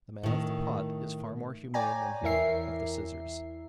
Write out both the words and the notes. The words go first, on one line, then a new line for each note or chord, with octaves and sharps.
The man of the pot is far more humane than he of the scissors.
A2 D#3
C#5 D5 G5 G#5 A#5
E2 E4 A#4 E5 C7